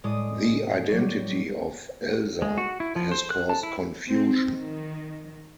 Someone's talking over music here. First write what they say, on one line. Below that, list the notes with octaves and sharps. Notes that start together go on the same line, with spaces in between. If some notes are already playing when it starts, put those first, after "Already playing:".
The identity of "Elsa" has caused confusion.
A2 G#3 D5 D#6
F#3 G3
G#3
F#4
E4
F3
C5
F#6
A5
E4
C4
D#3